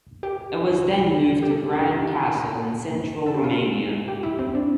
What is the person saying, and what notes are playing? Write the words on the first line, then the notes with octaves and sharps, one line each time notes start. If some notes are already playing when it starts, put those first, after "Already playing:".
It was then moved to Bran Castle, in central Romania.
G4
G4
A4
G4
F4
F4
A4
G4
F4
G4
E4
C4
D4